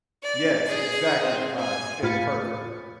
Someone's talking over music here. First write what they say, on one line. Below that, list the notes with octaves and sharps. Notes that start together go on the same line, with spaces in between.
Yes, exactly the vibe, you said it perfectly.
D5
G#4
C4
G#5
A2 F4 F5 B5 A6 C#7